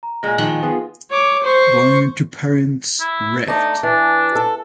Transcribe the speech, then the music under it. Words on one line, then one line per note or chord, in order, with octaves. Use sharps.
Born to parents Revd.
A#5
A#2 G#3 G#5 A#6
D#3 F3 F#6
B3 F4 G#4
C#5 D6
C5 C#6
E4
A3 D4 D#4
E3 D4
A4